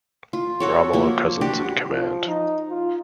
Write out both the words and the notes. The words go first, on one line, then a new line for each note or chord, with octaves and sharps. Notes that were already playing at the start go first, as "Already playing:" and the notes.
Romolo Cousins in command.
F4
F#4 A4 C#5
F3 A#3
D4 F#4 G4
F3
D#4
F4